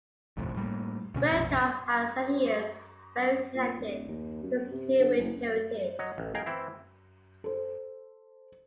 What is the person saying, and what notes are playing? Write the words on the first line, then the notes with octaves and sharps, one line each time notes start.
Bierko has said he is "very connected" to his Jewish heritage.
G1 C2 F2 A2
A2 G3 A3 A#3
D2 B2 C#4
A#1 F2 B2
A#2
D1
D#2
F#2
C3
D3
F#1
F#3 C#5 D#5
A1
G#4 A#4 D#5 F5 G5 G#5
E3 C4 E4
A4 C5